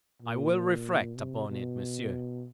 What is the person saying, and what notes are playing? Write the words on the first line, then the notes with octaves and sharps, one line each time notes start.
"I will reflect upon it, monsieur."
A#2
C3
B2